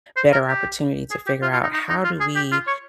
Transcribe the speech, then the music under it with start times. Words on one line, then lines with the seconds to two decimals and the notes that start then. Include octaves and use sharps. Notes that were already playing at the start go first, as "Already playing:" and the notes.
better opportunity to figure out, "How do we
0.17 C5
0.33 A#4
0.48 G4
1.11 G#4
1.27 G4
1.42 F4
1.53 F4
1.63 D#4
1.73 D#4
1.89 D#4
2.04 F4
2.20 G#4
2.36 G4
2.52 F4
2.67 C#5